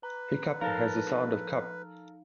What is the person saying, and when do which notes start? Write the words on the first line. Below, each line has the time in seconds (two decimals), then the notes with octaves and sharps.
Hiccough has the sound of "cup"......
0.03 B4 A#5
0.61 F3 D#4 A4 A#4 F5